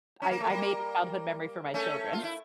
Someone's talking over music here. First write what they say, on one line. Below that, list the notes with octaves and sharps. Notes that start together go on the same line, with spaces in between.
I I made a childhood memory for my children.
C#4
A#3
A3
G3 A#3
A3 C#4
F4
E4